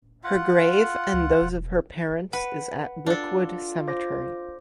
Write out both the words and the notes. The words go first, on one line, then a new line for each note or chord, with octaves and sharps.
Her grave and those of her parents is at Brookwood Cemetery.
F4 F#5
C#2
E1
B4 F#5
D4 F4 A4
C5 D6 A#6